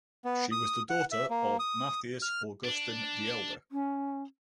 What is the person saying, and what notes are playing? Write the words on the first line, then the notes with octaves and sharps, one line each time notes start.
She was the daughter of Mathias Augustin the Elder.
B3
D#6
F#5
E5
A#3
D#6
F6
D4
C#4